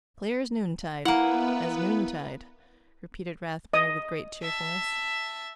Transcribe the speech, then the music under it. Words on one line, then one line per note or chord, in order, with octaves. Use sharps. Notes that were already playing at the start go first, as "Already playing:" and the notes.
"Clear as noontide--as noontide," repeated Rathbury with great cheerfulness.
A#3 B3 E4 B4 F#5
D#5 D#6
E5 A5